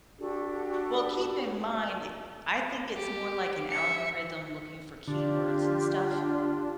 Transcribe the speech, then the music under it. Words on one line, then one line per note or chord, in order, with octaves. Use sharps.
Well, keep in mind, I think it's more, like, an algorithm looking for keywords and stuff
D4 F#4 G4 A4
G4
E5 C#7
D3 D4 F4 G4